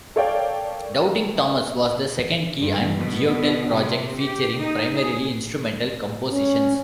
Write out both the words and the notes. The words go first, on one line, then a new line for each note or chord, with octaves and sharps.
Doubting Thomas was the second Key and Geottel project, featuring primarily instrumental compositions.
A4 A#4 C#5 D5 F5 G5
G2
B2
C3
G4
D#4
G#4
C#4